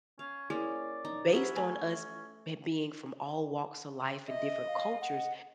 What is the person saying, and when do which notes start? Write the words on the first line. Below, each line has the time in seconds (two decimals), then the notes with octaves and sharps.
based on us ha being from all walks of life and different cultures,
0.19 C#4 F5
0.50 A#3 C#4 E4 G#4 D5
1.05 D#4
1.32 C#4 G4 E5 F#5 B5
1.56 A3 G#5
4.28 D#5 E5
4.67 F5
5.01 F#5